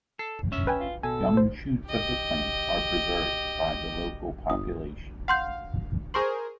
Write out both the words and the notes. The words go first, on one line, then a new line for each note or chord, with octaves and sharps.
Young shoots of the plants are preserved by the local population.
A4 C7
C#4 E5
B4 G5 G#5
F4
B2 A4 G#5
C5
G4 D#5
G1 D#6
F5 F#5 C6 G6
G#4 A#4 C5 C#6 F#7